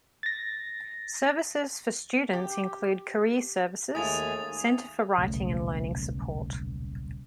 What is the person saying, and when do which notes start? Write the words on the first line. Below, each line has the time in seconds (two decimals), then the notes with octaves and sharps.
Services for students include Career Services, Center for Writing and Learning Support.
0.23 A6 A#6
2.33 G4
3.95 D#2 G#3 A3 G#5 D#6 A6 F7
5.18 D#1 B1 C#3 A3